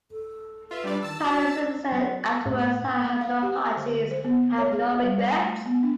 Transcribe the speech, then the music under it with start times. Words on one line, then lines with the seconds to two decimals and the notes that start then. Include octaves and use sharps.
Patterson said afterwards, I have no apologies, and I have no regrets.
0.11 A4
0.71 F4 B4 E5
0.84 G3 D4 D5
1.02 D#3 A5 E6
1.23 F#4
1.92 F#3
2.46 A2
3.21 F5
3.43 G4
3.76 D3
4.11 C5
4.24 B3
4.58 C#5
4.73 G#4
5.03 G3
5.19 D5
5.37 A3
5.66 B3
5.83 D4